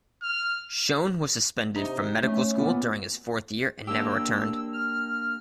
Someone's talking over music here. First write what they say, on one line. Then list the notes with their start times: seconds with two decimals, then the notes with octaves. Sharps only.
Shoen was suspended from medical school during his fourth year and never returned.
0.22 F6
1.76 C3 D#4
2.23 A3 C#4
2.58 A#2 B3
3.87 A#3 D4 G4 E6
4.73 F6